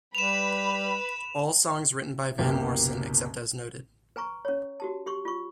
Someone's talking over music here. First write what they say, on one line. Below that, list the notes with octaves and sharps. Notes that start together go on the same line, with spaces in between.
All songs written by Van Morrison except as noted.
G3 B4 B5 E7 F7
F#1 C2 B2 A#3 G4
B4 G#5 A#5 C#6
C#4 C#5
F#4 G4 A5
G4 C6 C#6
F4 C#6